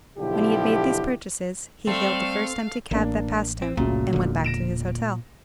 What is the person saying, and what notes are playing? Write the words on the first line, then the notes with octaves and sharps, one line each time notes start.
When he had made these purchases, he hailed the first empty cab that passed him, and went back to his hotel.
B1 D3 F3 E4 G4
G3 A3 C4 F5
A1 A#3 D4
C4
G1 C#2 A#2 C#3 F#3 A3
E1 D3
A#6 D7 E7